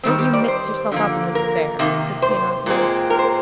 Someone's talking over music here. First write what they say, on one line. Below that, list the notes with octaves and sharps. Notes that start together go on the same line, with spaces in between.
"Don't you mix yourself up in this affair," said Thenardier.
D#3 G3 C4
G4
D5
C5
D3 F3 A#3
A#4
C3 D#3 A#3
C5
A#2 G#3 C4
A#4
C5